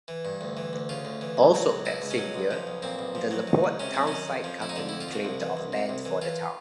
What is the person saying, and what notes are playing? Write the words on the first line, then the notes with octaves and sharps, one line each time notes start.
Also that same year, the Laporte Townsite Company claimed of land for the town.
E3
G2
D2
E3
D2
C#3 F4
D2
E3
C#2
F#3
C#2
B2 E4
C#2
C#4
F#3
B1
F3
B1
A#2 C4
B1
F3
F#3
D#3
C#2
C3 C#4
F#3 C4
D#3 C#4
F2
F3
F2 E4
D#4
D3 D4
F2 E4
F4
F3 F#4
C2
E3
C2
C3
C2
E3
E3 F4